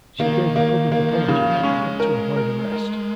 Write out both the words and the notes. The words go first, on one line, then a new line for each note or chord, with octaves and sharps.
She gave a public apology that night to avoid arrest.
D#3 A#3
A#3
D#3 A#3
F3
C#3
F3
G#3 C#4
A#4
A#4
A#4